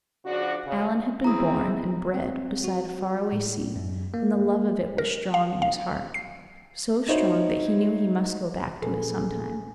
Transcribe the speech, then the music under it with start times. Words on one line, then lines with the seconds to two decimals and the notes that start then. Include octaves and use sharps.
Alan had been born and bred beside a faraway sea and the love of it was strong in his heart--so strong that he knew he must go back to it sometime.
0.25 C#3 F3 D4 F#4
0.65 C#3
1.24 E2 C4 E4 A#5 D#6
2.14 C4
2.64 F#4
3.32 A2
3.76 F#2
4.14 A#3
4.98 A#4
5.34 F5
5.62 F5
6.14 C7
7.08 D#4 E4 F#4 C5 C#5
8.82 A#2 F3 A#3 C#4 G#4 A4 B4